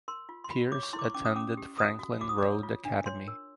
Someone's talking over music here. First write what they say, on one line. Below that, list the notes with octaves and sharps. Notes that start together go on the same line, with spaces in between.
Pierce attended Franklin Road Academy.
A#4 C6
F4
C6
F4 B5
C#5 D6
C#6
E4 C6
D6
C#6
C#4 D6
D#6
C#4 D6
G4
A4 D#6
F#4
F#4 D6
D#6
C#5 D6
F4
D4
C#5 C6
A#4